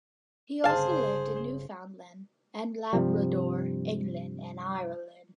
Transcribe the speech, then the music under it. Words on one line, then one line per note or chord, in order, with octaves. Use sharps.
He also lived in Newfoundland and Labrador, England, and Ireland.
G1 C#3 G#4 C5 F5 A5
G2 C3 F3 G3